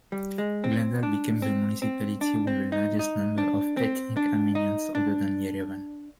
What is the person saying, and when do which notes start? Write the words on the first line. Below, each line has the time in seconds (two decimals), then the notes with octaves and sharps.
Glendale became the municipality with the largest number of ethnic Armenians other than Yerevan.
0.12 G3
0.38 G#3
0.64 C4
1.03 D4
1.42 C4
1.82 C4
2.21 D4
2.47 C4
2.72 D#4
2.99 D#4
3.38 D4
3.77 C4
4.17 D4
4.55 D#4
4.95 D4